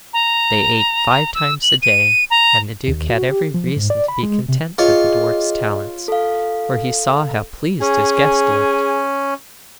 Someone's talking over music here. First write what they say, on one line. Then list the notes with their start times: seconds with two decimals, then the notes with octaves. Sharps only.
They ate five times a day, and the duke had every reason to be content with the dwarf's talents, for he saw how pleased his guest looked.
0.13 A#5
1.35 E6
1.62 F#7
1.82 D#7
2.30 A#5
2.88 D#2
3.09 F#4
3.29 G4
3.54 F3
3.76 G#2
3.90 D5
4.08 B5
4.23 G#3
4.49 C3
4.78 F4 G#4 C#5 D#5
6.08 A4 F5
7.81 C#4 G#4